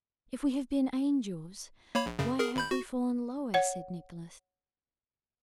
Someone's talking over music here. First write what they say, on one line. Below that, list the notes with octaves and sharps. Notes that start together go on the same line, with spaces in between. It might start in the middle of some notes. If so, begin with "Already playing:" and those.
"If we have been angels, why have we fallen lower?" said Nicholas.
A#3 C#5 B5
A#1
F#2 C#3
G#4 A#4
G#1 B5 G6
F#4
C#5 F#5